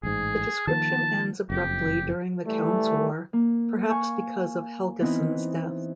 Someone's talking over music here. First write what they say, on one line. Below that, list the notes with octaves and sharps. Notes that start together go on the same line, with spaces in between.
The description ends abruptly during the Count's War, perhaps because of Helgesen's death.
A1 G#2 G#4
D#3 F3 A#3 A5
F#1 F2 G4
E3 G3 A3
A#3
F5 G#5 C#6
E3 B3 C4 D#4 E4